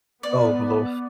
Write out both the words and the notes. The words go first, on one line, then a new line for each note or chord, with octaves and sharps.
Oh, hello.
B3 D5